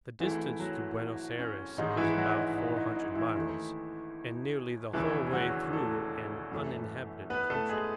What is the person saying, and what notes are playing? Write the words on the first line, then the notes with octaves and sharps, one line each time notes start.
The distance to Buenos Ayres is about four hundred miles, and nearly the whole way through an uninhabited country.
G#1 G#2 E3 A3 E4
F#3 F#4
C#4
A1 G#2 D#3 G#3 D#4
E3 E4
F#3 F#4
D#4
D#4
D#4
D#4
E3 E4
D#2 D#3 A3
E1 D#2 C#3 E3 E4
F#3 F#4
A3 A4
F#2 E3 A3
B3 B4
A3 A4
G#3 G#4